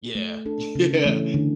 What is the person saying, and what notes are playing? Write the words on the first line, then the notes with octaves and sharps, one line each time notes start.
Yeah. Yeah.
A3
D4 A4
C#3
E3 A3 C#4
D3